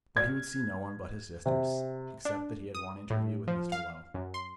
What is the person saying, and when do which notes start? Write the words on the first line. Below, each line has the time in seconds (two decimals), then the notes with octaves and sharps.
But he would see no one but his sisters,--except that he had one interview with Mr. Low.
0.17 G#6
1.46 C3
2.25 D4
2.75 D#6
3.10 A2
3.48 F3
3.72 F5
4.14 F#2
4.34 C6